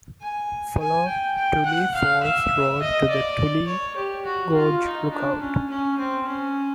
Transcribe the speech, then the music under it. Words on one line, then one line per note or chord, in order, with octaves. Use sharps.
Follow Tully Falls Road to the Tully Gorge Lookout.
G#5
G#5
G5
G5
F#5
F5
E5
D#5
D5
C#5
G4
F#4
F4
D#4
D4
C#4
C#4
C4
C#4